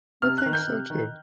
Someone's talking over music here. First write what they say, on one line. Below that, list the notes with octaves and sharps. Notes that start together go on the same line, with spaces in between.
I think so too.
C3 F6
F#6
D#3
G6
C3
D#3